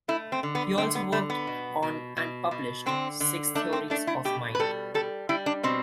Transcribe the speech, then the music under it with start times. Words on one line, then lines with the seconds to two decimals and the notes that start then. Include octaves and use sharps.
He also worked on and published "Six Theories of Mind".
0.08 A3 E4
0.32 C4
0.43 D3
0.55 B3
0.78 D3 C4
0.95 B3
1.12 D3 A3
1.30 B3
1.47 B2
1.83 B2
2.17 B2
2.51 B2
2.86 D3 C4
3.20 D3
3.55 A3 D4
3.73 C4
3.90 A3 D4
4.07 E4
4.25 B2 G4
4.55 B4
4.60 G3 A4
4.94 G3 A4
5.29 G3 E4
5.46 D4
5.63 B2 C4